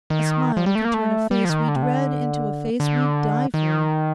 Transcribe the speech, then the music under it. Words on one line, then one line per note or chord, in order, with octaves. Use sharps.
A smile can turn a face we dread into a face we'd die for.
D#3
F3
G3
A3
A#3
A3
G3
F3
D#3
D3
C3
D3
D3
D#3